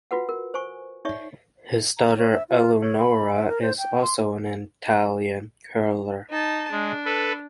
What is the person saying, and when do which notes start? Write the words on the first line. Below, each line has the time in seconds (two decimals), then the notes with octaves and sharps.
His daughter Eleonora is also an Italian curler.
0.11 F4 F#4 B4 F#5
0.29 A#4
0.54 C5 G#5 C#6
1.05 D#4 C#5 D5 E5 C#6
1.98 A#5
2.17 C#5
2.33 E5
2.49 F4
2.81 C#5
2.99 B5
3.35 E5
3.48 A#4
3.62 C5
3.78 G5
4.02 C6
6.30 D#4 A5
6.71 G#3 D4
7.05 A4 B4